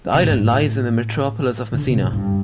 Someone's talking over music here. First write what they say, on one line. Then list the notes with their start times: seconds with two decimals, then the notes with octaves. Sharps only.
The island lies in the metropolis of Messina.
0.14 C3
0.22 A2
0.31 G2
0.39 A2
1.74 D3
1.88 C3
2.01 A2
2.13 G2